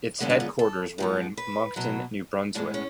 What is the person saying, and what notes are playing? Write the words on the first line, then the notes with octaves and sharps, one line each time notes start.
Its headquarters were in Moncton, New Brunswick.
F#2 D3 G#3 B3
D4
F4
A4
G#2 F3 B3
B4
B2 F#3 B3
A2 G#3 B3 D4
C#4